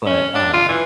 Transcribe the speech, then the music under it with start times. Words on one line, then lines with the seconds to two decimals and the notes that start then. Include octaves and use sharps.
But, uh,
0.06 C#4
0.35 D4
0.53 F4
0.69 E3